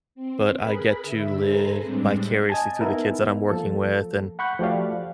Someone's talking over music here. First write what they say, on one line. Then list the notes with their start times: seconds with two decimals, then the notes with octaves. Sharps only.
but I get to live vicariously through the kids that I'm working with and
0.15 C4
0.56 G#4 A#4 B4 B5
1.03 D3 E5
1.39 G#4 A4 B4 C5 A#5
1.81 A2 G3 G#3 C4 D4
2.50 D#5 G#5 A5
2.81 B3 D#4 E4 A#4
3.49 F3 A#3 A4
4.39 F#5 B5 C#6 F#6 G6
4.59 F3 A3 F#4 G4 D5 F5